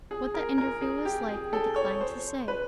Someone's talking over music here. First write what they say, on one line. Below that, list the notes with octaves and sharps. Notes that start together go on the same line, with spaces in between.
What that interview was like we decline to say.
G#4
A#4
A#4
G#4
G4
G#4
A4
C#5
C5
B4